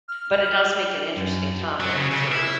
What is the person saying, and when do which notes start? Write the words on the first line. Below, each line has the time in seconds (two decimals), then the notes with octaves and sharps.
but it does make an interesting topic for
0.08 F6
1.14 F#2
1.80 F#3
1.96 C#3
2.11 C#3
2.32 E4